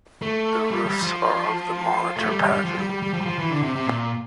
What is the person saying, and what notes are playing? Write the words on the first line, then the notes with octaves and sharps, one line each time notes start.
The roofs are of the monitor pattern.
A3
G3
G3
F3
A3
G3
G3
G3
F3
G3
G3
G3
F3
G3
F3
E3
D3
C3
C3
A#2